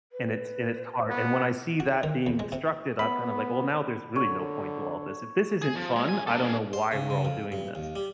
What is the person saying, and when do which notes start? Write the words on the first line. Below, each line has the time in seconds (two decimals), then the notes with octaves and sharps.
and it's and it's hard, and when I see that being obstructed, I'm kind of like, "Well, now there's really no point to all this. If this isn't fun, I don't know why we're all doing this."
0.12 B4
1.09 B3
1.80 F#4
2.03 D#3
2.27 E2
2.39 G#3
2.52 C3
2.99 B3 B5
4.16 D3 C#5
5.62 G#4
5.75 F3
5.96 G#3
6.09 A2 G#5
6.27 A#3 A4
6.42 D4 G#4
6.73 C5
6.91 C#3
7.10 C#3
7.25 F2
7.52 G2
7.75 D#2
7.96 G3